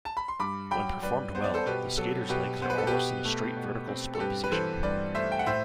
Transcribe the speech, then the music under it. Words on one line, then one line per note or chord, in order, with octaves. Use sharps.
When performed well, the skater's legs are almost in a straight vertical split position.
A5
B5
C6
G2 B5 D6
F#3 G5 B5
G2 B4 D5
B3 C5
D5
A4 C5
B2 G4 B4
F#3 A4
B2 G4 B4
B3 C5
B4
A4
G4 B4
B2
A3
B2
C4
A4
G2 G4 B4
B4
E3 A4 C5
G2 B4 D5
A3 C5 E5
G5
F#5
A2 C5 E5